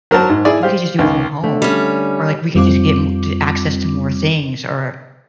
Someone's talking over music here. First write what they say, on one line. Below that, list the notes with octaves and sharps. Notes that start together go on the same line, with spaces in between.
we could just do it from home. Or, like, we could just get m t access to more things or
F#3 A#4 C5 A5
G#2
E4 G#4 D5
G4 C5 F5
C#2 D#3
D3 A3
G3 C#4
F2 G3 C4 F4 D6